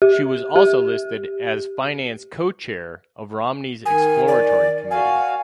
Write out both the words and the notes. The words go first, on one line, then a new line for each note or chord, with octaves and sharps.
She was also listed as finance co-chair of Romney's exploratory committee.
G4
G4
D#3 G#5
D5
F#4 F5 G#5